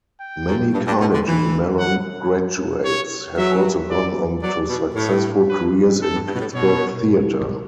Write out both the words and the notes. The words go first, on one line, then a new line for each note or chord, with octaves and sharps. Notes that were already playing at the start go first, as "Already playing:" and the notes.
Many Carnegie Mellon graduates have also gone on to successful careers in Pittsburgh theatre.
G5
F#2
G2
G2
B2
D3
E3
F#5
C#5
F#3 E5
D5
F#3 D5
B2
A2 C#5
B4
F#2 A4
G2
G2
B2
A2
B2 C#5